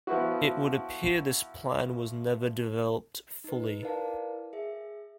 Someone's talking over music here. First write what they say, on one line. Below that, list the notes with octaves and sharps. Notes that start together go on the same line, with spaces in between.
It would appear this plan was never developed fully.
F3 B3 E4 F#4
D#4 B4
E4 A#4 B4 D5 F5 A5
G#4 E5